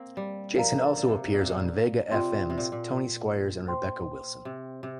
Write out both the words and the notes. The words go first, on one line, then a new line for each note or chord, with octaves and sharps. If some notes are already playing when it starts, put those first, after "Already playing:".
Jason also appears on vega fm's "Tony Squires and Rebecca Wilson".
Already playing: A#3 C4
G3
F3 A#4 D5 F5 A#5
D3
D3
C3
A#2
C3
A#2
C3 F4 D5 G5 C6
C3
A#2
A#2
C5 G5 C6
C3
C3